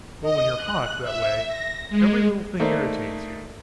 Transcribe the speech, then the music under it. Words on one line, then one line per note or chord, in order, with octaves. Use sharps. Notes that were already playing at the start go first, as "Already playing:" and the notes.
Well, when you are hot, that way, every little thing irritates you.
D#5
F#6
E5
A#6
G#3
A3 A#3 D#4 C5 D5